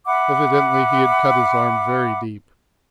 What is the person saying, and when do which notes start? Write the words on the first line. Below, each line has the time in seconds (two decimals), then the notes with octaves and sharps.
Evidently he had cut his arm very deep.
0.06 E5 F#5 B5 D6